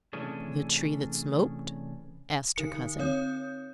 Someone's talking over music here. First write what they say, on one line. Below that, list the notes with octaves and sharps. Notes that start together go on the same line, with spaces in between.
"The tree that smoked?" asked her cousin.
C3 E3 A3 C#4 D4 G#4
D3 D#4 A#4 C#7
C4 C#5 D#6 G6